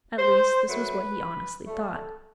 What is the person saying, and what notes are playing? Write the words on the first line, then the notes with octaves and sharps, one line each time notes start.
At least, this was what he honestly thought.
C5
F#2 F#3 A3 B4
G2 D3 A3 A4